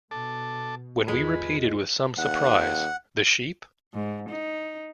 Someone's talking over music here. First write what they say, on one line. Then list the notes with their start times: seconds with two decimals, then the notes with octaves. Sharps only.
When we repeated, with some surprise, "The sheep?"
0.11 B2 A4 A5 D6
1.08 E2 G#2 D3 G#3 F4 G#4 B4 D#5
2.18 D#2 F#5
3.94 G#2
4.29 D#4